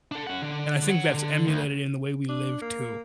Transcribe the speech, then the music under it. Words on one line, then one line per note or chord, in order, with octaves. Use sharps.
And I think that's emulated in the way we live, too.
D4 A4
C#4 F#5
D3 D4
C#5 F#5
D3
D2
D4
A#3